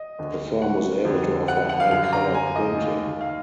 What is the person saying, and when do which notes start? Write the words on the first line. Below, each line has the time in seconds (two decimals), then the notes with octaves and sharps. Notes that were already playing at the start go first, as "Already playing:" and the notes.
The firm was able to offer high colour printing.
Already playing: D#5
0.19 D2 D3
0.62 F#5
1.05 F2 D3
1.48 F#5
1.69 F#5
1.80 F5
1.91 F#2 D3 F5
2.13 A#5
2.34 G#5
2.56 D#5
2.77 D#2 D#3
3.21 F5